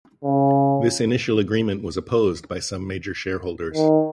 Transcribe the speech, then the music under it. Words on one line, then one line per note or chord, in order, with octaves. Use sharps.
This initial agreement was opposed by some major shareholders.
C#3
D#3